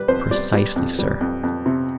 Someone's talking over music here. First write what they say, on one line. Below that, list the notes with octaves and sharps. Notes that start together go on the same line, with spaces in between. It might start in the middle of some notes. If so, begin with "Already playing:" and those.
"Precisely, sir."
Already playing: G3 B4
F2 C5
G3 D5
G3
F2
G3
F2
F2
C3